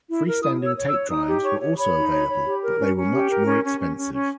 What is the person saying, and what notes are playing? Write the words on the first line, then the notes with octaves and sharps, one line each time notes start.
Free-standing tape drives were also available, but they were much more expensive.
E4
A#4
E4 D#6
C#5
E6
C#5
E6
C#5
D#4 D#6
G4
C#5 C#6
C#5
C#5 B5
D#4
C#5
C#5
G4
A#4
C#4
C#4
G4
A#4
C#4
C#4
C#4
C#4
C#4